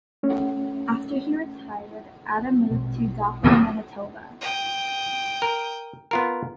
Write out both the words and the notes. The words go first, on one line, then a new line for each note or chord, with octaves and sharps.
After he retired, Adam moved to Dauphin, Manitoba.
A3 C#4
A#1 B2 G#3 C4
G5 D#6
A#4
B3 F4 A#4